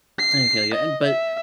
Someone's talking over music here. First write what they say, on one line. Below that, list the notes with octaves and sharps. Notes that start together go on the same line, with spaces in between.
I feel you, and but,
C7
D#5
E5